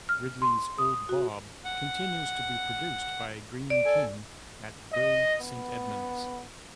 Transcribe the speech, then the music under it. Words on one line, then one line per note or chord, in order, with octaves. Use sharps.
Ridley's Old Bob continues to be produced by Greene King at Bury Saint Edmunds.
F6
C6
D#6
F#4
F#5
D5
A4 G#5
D#5
B3